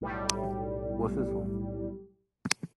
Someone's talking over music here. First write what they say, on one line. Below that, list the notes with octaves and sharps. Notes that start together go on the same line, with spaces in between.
What's this one?
B1 A2 G3